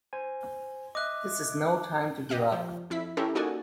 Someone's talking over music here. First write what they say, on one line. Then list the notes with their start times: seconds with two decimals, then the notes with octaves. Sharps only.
This is no time to give up!
0.13 C5 G#5
0.95 D#5 E5 D6 F#6
2.29 G4 D#5 F#5 F6
2.52 F3
2.90 F2 E4 B6
3.17 C#4 E4 G4 A4 A#4 C#5
3.35 A#3 D#4 F#4 A4 D5 G#5